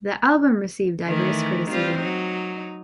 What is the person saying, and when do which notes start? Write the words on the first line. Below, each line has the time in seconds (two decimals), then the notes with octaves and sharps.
The album received diverse criticism.
1.07 D#3 E3 A3
1.71 G3 C4 F4
1.99 F#3 D#4